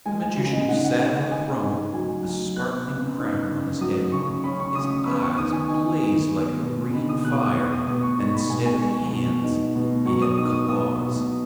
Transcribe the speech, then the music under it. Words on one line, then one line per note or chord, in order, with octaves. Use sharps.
The Magician sat on a throne, a sparkling crown on his head; his eyes blazed like a green fire, and instead of hands he had claws.
G#3 G#5
G#5
C#3
D#5
D#4 F#5
F#5
C#3 D#5
F#5
D#4 G#5
D#4
F#3 G#5
F#3
B3 F#6
C#3
D#4
C#3
F#3 D#6
C#3 C#6
C#4 B5
C#6
C#3 D#6
C#6
B3 B5
C#6
D#3 D#6
G#5
D#4 G#5
D#3
B3
B2
D#4 B5
D#6
B2 F#6
D#6
B3 C#6
D#6
B2 D#6
C#6
D#4 C#6
B5
B2 G#5
G#5
G#3 C#6
B2
D#4
B2
F#3 C#6
D#6
D#4 D#6
D#6
B3 D#6
B2